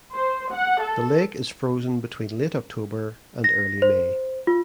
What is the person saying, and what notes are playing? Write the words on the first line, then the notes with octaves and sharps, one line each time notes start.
The lake is frozen between late October and early May.
C5
F#5
A4
A#6
C5
F4